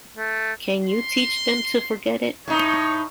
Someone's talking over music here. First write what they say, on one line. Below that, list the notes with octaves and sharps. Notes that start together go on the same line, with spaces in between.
Can you teach them to forget it?
A3
C6
A2 D#4 C#5